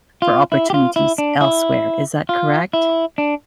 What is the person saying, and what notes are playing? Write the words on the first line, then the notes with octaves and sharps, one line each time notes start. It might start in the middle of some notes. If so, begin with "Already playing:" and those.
for opportunities elsewhere. Is that correct?
F4
E4
G4
F4
E4
D4
E4
F4
E4
D4